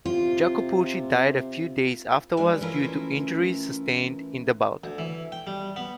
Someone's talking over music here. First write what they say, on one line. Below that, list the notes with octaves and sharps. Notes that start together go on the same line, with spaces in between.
Jacopucci died a few days afterwards, due to injuries sustained in the bout.
C3 F4
F3 G3 G#3 D4 B4
E3 A3 C#4 E4 F4 A#4
D2
E3
G5
G3
B3